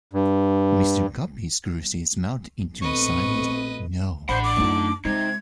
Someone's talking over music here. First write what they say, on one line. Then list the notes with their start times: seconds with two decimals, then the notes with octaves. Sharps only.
Mr. Guppy screws his mouth into a silent "No!"
0.13 G2
2.82 A#1 B2 A3 C4 B4 D#5 C#6
4.29 A1 D4 C5 F#5 B5
4.44 D6
4.57 F#2 A3 D#4 F4
5.05 C3 G#3 D#4 G#6